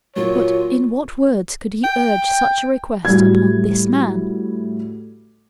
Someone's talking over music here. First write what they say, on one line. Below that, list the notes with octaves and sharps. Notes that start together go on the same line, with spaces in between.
But in what words could he urge such a request upon this man?
A#2 F#3 F4 C#5
G5
A2 G3 F#4 G#6